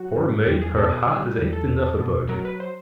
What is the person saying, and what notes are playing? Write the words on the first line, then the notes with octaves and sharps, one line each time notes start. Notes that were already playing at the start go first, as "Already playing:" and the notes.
Poor maid, her heart has ached enough about it.
Already playing: F#3 F#4
G2
E2 G4
G#4
B2 A4
G#4
G3 G#4
E2
A4
E2
B2
F#3 A#4
B4
C5